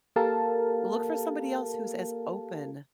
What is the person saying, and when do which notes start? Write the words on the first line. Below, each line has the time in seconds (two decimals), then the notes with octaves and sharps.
look for somebody else who's as open
0.16 A#3 G4 A4 A#4 F5 A5